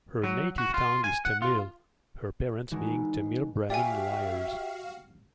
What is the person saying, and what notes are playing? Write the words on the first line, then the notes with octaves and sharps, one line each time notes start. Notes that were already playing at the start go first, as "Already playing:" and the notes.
Her native tongue is Tamil, her parents being Tamil Brahmin Iyers.
F#3
F#4
F4
G#5
F#5
F4
D#3 E3 G#3 D4 D#4 F#4
F#4 G4 D5 E5 F5 G#5